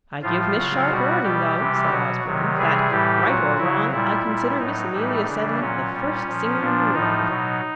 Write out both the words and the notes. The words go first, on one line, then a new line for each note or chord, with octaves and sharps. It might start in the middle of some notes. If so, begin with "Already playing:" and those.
"I give Miss Sharp warning, though," said Osborne, "that, right or wrong, I consider Miss Amelia Sedley the first singer in the world."
A2 F3 F4
C#3 F#3
B2 G3 F#4
B2 G3 G4
C3 E3 G3
B2 F#3 F#4
C3 D#3 F#3
C3 E3 G3 G#4
A2 E3 G3 G4
A#2 F#3 F#4
C#3 F#3 E4
A#2 G3 E4
A#2 G3
A2 F#3 D#4
A2 E3 G3
C#3 E3 G3 D4
A#2 F#3 C#4
A#2 G3
A#2 F3
A#2 F3 D4
A2 F3 D#4
B2 F#3